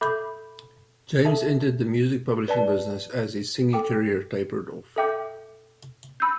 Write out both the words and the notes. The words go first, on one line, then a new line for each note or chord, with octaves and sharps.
James entered the music publishing business as his singing career tapered off.
A4 E5 B5 D6 G6
A4 E5 A5
B4 D5 A5
A4 G5 D6
A4 E5 G5 D6 G6
B5 E6 G6